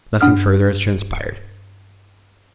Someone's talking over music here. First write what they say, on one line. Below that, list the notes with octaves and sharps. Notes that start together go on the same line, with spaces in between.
Nothing further has transpired.
G2 D4 F#5 D#6 F6